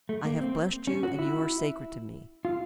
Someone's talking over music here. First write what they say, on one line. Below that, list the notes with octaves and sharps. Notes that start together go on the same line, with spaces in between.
I have blessed you and you are sacred to me.
A3
A#3
C4
C#4
F#4
E4
F4